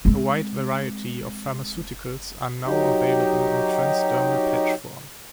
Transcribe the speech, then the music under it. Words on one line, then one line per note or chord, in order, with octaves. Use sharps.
A wide variety of pharmaceuticals are now available in transdermal patch form.
G#3 C4
F#3 D#4 G4